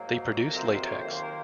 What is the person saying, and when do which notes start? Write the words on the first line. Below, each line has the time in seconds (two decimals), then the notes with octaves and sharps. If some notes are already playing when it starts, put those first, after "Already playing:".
They produce latex.
Already playing: G#2 F#3 A#3
0.42 F2 C3 F#3 A#3 A#4
0.56 C5
0.71 C5
0.85 C#5
0.99 D#2 D#3 A#3 C5
1.14 C5
1.22 A#4